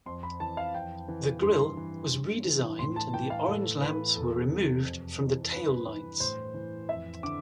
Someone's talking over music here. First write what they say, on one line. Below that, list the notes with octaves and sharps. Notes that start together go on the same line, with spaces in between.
The grill was redesigned, and the orange lamps were removed from the taillights.
F2 C6
B5
E3 A5
F5
F2 G5
E3
G2 C6
E3
G2
E3
A2 C6
A5
E3 G5
F5
A2 A4
E3 B4
E2 A4
C3
F2
E3
G2 B4
E3
A2 C5
E3
F2 E5
D3 D6